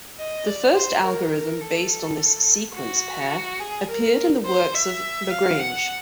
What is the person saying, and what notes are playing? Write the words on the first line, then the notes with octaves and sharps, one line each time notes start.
The first algorithm based on this sequence pair appeared in the works of Lagrange.
D#5
D5
C5
A#4
A4
F#4
G#4
A#4
C5
E5
F5
F#5